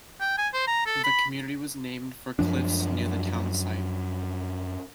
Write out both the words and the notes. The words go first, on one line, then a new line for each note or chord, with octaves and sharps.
The community was named for cliffs near the town site.
G5
G#5
C5
A#5
A4
B5
F#2 F3 D4